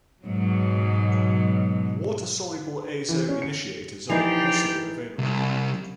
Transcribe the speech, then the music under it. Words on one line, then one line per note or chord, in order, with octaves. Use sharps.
Water-soluble azo initiators are also available.
G#2 B2 F#3
E3
C#4
C#7
E3 F3 D#4 G4
C2